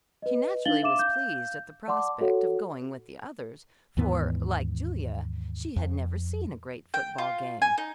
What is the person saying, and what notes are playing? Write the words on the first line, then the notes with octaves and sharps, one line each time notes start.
She naturally was pleased at the prospect of going with the others, for like Julia, she had never seen a great football game.
B4 D#5
D4 D#4 F5 A6 F#7 G7
E5 F5 D6 E7
F5 G6
D5 F#5 A5 C6 D6
F#4 A4 C#5 F#5
D#2 G#2 E3 B3
F2
G5
F4
G#5
D#4